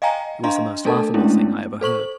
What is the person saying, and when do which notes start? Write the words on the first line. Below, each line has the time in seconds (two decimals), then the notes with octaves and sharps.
It was the most laughable thing I ever heard.
0.02 D#5 F5 G5 G#5 A#5
0.44 D4 D#5 F5 A#5 C6
0.85 A3 D4 A4 A#4 A5
1.14 G#3 A3 B3 C#4 D4 E4
1.81 A4 C5 C#6 F#7